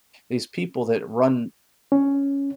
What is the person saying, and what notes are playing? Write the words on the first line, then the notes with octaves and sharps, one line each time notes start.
these people that run
C#4